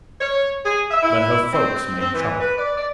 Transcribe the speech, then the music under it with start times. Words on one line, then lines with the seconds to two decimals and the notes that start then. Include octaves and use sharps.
But her folks made trouble.
0.20 C#5
0.64 G#4
0.90 E5
1.03 E4
1.53 C4
1.99 C4
2.14 E3
2.41 B4
2.58 D5
2.77 D5